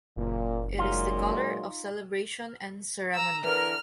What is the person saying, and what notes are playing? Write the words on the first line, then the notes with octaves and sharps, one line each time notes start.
It is the color of celebration and ceremony.
F#1 A#2
A#2 F#3 G#3 D#4 F4
A#5 E6
D3 E3 A#4 F6